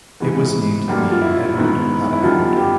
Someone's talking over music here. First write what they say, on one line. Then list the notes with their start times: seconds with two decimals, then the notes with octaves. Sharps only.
It was named the "Edward Padelford".
0.20 G#2 E3 G#3 B3 G#4
0.88 F#2 D3 G3 A#3 G4
1.11 F4
1.22 E4
1.56 G#2 D#3 G#3 B3
2.13 E4
2.23 F#2 D3 G3 B3 F4
2.56 G4